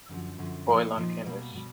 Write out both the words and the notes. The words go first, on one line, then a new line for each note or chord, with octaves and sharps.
Oil On Canvas.
F#2 D3 F3
F#2 D3 F3
A#2 F3 A#3 D#4
A#2 F3 A#3 D#4
B2 G3 A#3
B2 G3